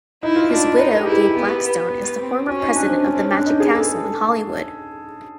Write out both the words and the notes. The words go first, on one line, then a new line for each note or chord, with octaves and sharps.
His widow, Gay Blackstone, is the former president of The Magic Castle in Hollywood.
D#4 E4
F4
D4 F4
D#4 B4
A#4
G4
E4 G#4
G4
B3 G4
B3
C4
C#4 F#4
D#4
C#4 D4
C4
C4 C#4
C#4
C4 D4
D#4
B3 G#4
A4